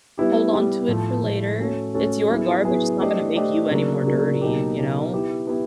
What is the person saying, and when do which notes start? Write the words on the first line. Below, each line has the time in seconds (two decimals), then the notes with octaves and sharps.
Hold on to it for later, it's your garbage, it's not gonna make you any more dirty, you know?
0.18 G3 B3 E4 G4
0.53 G3 B3 E4 G4
0.88 A2 F3 A3
1.23 A2 F3 A3
1.59 A3 C#4 F#4 A4 C#5
1.94 A3 C#4 F#4 A4 C#5
2.30 F#3 B3 E4 G#4
2.65 F#3 B3 E4 G#4
3.00 A3 D4 G4 C5 D#5
3.35 A3 D4 G4 C5 D#5
3.71 C#3 F#3 A#3 D4
4.06 C#3 F#3 A#3 D4
4.41 B2 F#3 A#3 D#4 G4
4.76 B2 F#3 A#3 D#4 G4
5.12 B3 E4 G4
5.47 B3 E4 G4